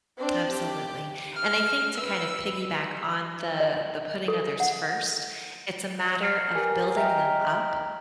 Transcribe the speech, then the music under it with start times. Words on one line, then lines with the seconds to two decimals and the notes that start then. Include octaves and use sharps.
Absolutely, and I think to kind of piggyback on the the putting others first, it's a matter of building them up,
0.18 C4 D4
0.51 G4
1.36 F6
1.98 B4 E6
3.60 D#5
4.28 A4
4.60 F#5
6.22 F6 C7 C#7
6.55 G4 A#4 B4 G#5
6.96 D#5 E5 G5 A#5 F6